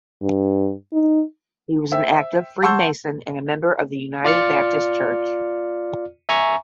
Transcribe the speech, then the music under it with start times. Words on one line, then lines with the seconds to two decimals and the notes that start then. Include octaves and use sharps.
He was an active Freemason and member of the United Baptist church.
0.22 G2
0.93 D#4
1.92 C5 E5 G5 E6
2.62 F#5 A5 C6 C#6 E6 G6
4.25 F4 D5 F6 C#7
6.29 E5 G#5 A#5 C#6